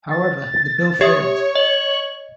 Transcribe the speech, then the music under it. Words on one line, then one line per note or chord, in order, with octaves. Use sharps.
However, the bill failed.
A6
G4 C#5 E5 D#6
D#5 F#7